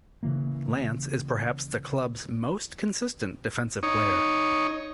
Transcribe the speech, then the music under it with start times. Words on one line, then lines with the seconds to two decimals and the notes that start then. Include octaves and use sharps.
Lance is perhaps the club's most consistent defensive player.
0.23 C#3 E3 A#3
3.83 D#4 C#5